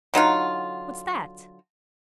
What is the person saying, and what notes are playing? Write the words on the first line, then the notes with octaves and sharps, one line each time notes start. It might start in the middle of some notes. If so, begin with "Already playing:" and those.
"What's that?"
D3 F#3 D#4 F4